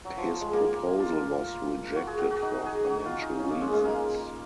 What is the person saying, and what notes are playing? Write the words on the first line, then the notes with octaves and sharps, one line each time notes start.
His proposal was rejected for financial reasons.
F#3
F3
F3
G#3
A#3
F4
F#4
G#4
F#4
F#4
D#4
G#4
F#4
F4
D#4
C#4
A#3
G#3
G#3
A#3